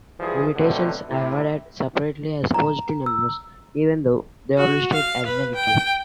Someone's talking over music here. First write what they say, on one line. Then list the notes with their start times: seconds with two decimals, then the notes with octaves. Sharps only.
Limitations are added separately as positive numbers, even though they are listed as negative.
0.20 E3 F3 G3 G#4
0.56 B2 D3 F#3 A3 B3 C4
1.09 A2 C3 E4
2.54 A#5
3.06 E6
4.57 F#4
4.93 F5
5.26 B4
5.55 G5